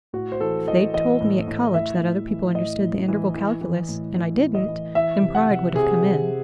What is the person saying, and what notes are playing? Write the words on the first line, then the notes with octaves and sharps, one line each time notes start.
If they'd told me at college that other people understood the integral calculus, and I didn't, then pride would have come in.
A2 F#4
C5
E3 A4
E3 D#5
E3 D#5
A2
A2
A2 E5
A2
E3
A2 D#5
A2
E3
E3
E3
A2
A2
E3
D#5
E3
E3 E5
C3
F#5
C3
C3 G#4
C3